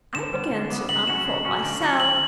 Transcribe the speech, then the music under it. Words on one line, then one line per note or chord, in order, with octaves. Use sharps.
I begin to unfold myself.
D3 E7
G3 B3
D3
G3 B3
C#3 F#7
F#3 C#4 F#4 E7
C#3
F#3 C#4 F#4
D3
F#3 C#4 F#4 C#5
D3 F#7